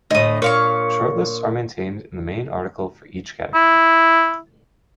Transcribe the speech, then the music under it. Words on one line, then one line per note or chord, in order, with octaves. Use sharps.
Shortlists are maintained in the main article for each category.
D2 A2 D#5 D#6
A#2 C#5 F5 C#6
E4